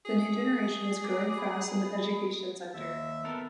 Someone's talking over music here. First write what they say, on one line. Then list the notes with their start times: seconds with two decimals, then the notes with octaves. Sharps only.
The new generation is growing fast in the education sector.
0.05 G#4
1.04 D6
1.38 B5
2.74 D#2 E5
3.24 B3 A4 A#4